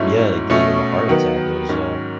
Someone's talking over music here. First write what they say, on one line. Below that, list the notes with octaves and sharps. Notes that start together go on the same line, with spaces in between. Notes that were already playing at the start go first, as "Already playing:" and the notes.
yeah, it gave him a heart attack, it was, uh
Already playing: G#2 F#3 A3 C#4 E4
B2 A3 C#4
D#3 F#3 B3
G#2 D#3 F#3 C#4